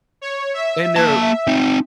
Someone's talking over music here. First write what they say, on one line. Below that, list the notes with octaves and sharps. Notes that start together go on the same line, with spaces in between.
and they're,
C#5
E5
A#3 A5
C4 D#4